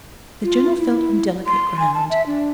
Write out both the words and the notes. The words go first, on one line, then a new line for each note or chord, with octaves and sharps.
The General felt on delicate ground.
F4
E4
C6
G#5
A5
E5
D4